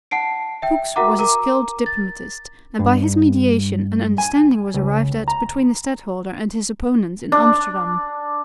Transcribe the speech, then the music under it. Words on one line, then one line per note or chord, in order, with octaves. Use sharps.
Fuchs was a skilled diplomatist, and by his mediation an understanding was arrived at between the stadholder and his opponents in Amsterdam.
F#5 A5 C7 D7
E5 G5
F#4 A#4 E5 F#5 A#5 D6
A#4 A#5 D6
A6
G2
G#5
C#2
A#5
D4